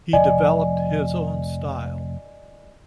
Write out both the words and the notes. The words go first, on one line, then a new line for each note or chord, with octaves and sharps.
He developed his own style.
F1 F3 D5 D#5 G#5